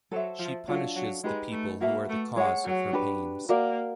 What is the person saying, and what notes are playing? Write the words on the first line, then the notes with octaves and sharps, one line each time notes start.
She punishes the people who are the cause of her pains.
F#3 A4 C5 E5
F3
F#3 D4 F4 A4
F#3
G#3 D#4 G4 B4
A3
A#3 F#4 B4 E5 A5
A3
G#3 G#4 C#5 F#5
F#3
D4 G4 B4
A#3 F#4 A#4 D5 F5